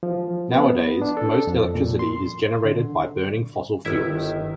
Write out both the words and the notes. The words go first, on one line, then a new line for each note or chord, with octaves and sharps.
Nowadays, most electricity is generated by burning fossil fuels.
F3
B3
D4
A4
F2
A#2
C6
D3
G1 D#3 E4 E5